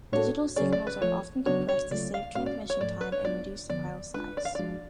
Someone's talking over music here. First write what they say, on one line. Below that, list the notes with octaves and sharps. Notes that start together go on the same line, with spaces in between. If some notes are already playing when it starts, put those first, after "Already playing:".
Digital signals are often compressed to save transmission time and reduce file size.
A2 G#3 D4 F#4 A4 C#5
C#3 F#3 C#4 G#4 C#5 D5
D5
B4
F3 A3 F4 C#5
C#3 F#3 B3 D4 F#4 C#5
C#5
C#3 F#3 A3 F4 D5
F5
A2 G#3 C#4 F#4 F5
D5
C#5
G#2 F3 A3 D5
B4
C#5
G#3 B3 D4 F4 D5
F2 D3 F3 B3 D5
G#3 D4 F4 B4
D5
F5
F3 G#3 D4 F#4 D5